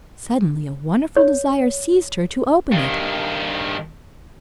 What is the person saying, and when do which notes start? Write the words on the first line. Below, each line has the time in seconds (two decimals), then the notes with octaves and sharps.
Suddenly a wonderful desire seized her to open it.
1.17 C#5
2.72 G2 D#3